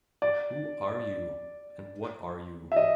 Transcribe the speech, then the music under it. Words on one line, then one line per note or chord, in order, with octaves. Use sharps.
Who are you? and what are you?
D5
E5
D#5